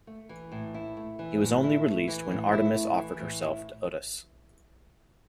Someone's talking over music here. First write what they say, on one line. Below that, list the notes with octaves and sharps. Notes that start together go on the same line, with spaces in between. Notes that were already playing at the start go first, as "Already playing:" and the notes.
He was only released when Artemis offered herself to Otus.
A3
E3
A2
E4
A3
E3
A2
E4
A3
E3
A2
E4
A3
E3
A2
E4